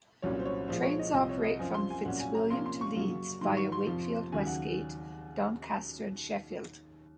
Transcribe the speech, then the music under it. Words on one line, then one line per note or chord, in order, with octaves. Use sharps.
Trains operate from Fitzwilliam to Leeds via Wakefield Westgate, Doncaster and Sheffield.
C2 A#2 F#3 C#4 C#5
C5
C#5
A#2 F3 G#3 C5
C#5
D#5
C2 C3 F3 D#5
C#5
D#5
F#2 F3 C4 G#5
C6
G#5
C2 A#2 F#3 C#4 F#5
G#5
A#5
C3 F3 A#3 C#4 C6
C6
C#6
F#2 C#3 F#3 A#3
G#2 D#3 F#3 C6
C#6
C6
F2 C3 F3
D#2 C#3 F#3 G#5
F#5